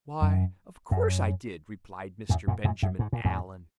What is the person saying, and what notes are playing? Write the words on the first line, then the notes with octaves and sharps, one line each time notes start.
'Why, of course I did,' replied Mr. Benjamin Allen.
F#2
F#2
E2 G#2
F#2 A#2
F#2 A#2
F#2
G#2
A#2
E2 G#2